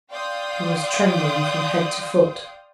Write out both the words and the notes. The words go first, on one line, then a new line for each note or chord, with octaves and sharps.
He was trembling from head to foot.
D5 F5 G5 C6 D#6 G6